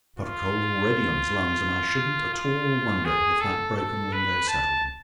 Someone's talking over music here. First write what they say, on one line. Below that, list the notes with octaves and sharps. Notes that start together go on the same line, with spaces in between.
He's got a cold already on his lungs, and I shouldn't at all wonder if that broken window settled him.
F4
F4
G#4
A4
A4
B4
A5